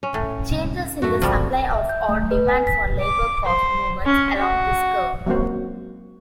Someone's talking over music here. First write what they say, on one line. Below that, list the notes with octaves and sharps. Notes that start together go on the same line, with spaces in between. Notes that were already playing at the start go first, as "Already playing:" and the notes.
Changes in the supply of or demand for labor cause movements along this curve.
C#4
A2
C2 C3
F2 G#2 A3 F#4
G#1 C#2 C3 F3 G3
E5
G6
A3
B4
G#5
B6
D6
C5
C#4
F#4
F#3 G#3 A#3 C4 F#4 C5